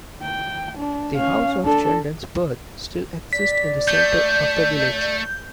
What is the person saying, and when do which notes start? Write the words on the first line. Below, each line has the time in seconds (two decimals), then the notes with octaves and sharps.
The house of Sheldon's birth still exists in the centre of the village.
0.22 G5
0.77 D4
1.16 C#4 F5
1.64 D4 A4
3.33 D5 B6
3.88 A3 G6